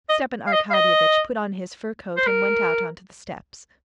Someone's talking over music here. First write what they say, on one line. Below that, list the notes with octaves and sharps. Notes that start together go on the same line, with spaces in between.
Stepan Arkadyevitch put on his fur coat and went out onto the steps.
D#5
F5
D#5
F5
D#5
C5
A#4